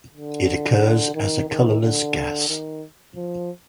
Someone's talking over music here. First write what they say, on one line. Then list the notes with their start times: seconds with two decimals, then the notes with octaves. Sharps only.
It occurs as a colorless gas.
0.14 D3
1.15 D#3
1.48 D#3
1.81 D3
2.49 D#3
3.15 F3